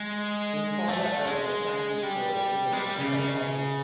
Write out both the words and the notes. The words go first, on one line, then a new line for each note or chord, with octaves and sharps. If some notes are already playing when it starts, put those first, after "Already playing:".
His father owned a sandwich store in Illinois called Ozzie's.
Already playing: G#3
A3
G#3
G3
G#3
G3
C#3
C#3